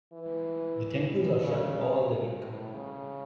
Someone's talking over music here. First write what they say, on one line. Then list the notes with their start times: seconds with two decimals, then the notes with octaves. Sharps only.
The temples are shut all the week.
0.13 E3
1.43 C#3
2.41 A2
2.73 C#3